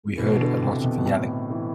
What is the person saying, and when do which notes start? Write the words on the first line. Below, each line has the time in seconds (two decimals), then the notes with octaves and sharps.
We heard a lot of yelling.
0.18 B2 E3
0.41 D3
0.62 C3
0.77 C3
0.84 B2
0.98 B2
1.06 A2
1.50 E3